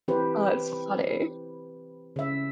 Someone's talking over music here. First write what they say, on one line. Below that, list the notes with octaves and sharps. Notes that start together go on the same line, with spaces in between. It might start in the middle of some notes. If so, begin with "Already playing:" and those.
Oh, that's funny.
E3 C4 G4 B4 C5
C#3 E5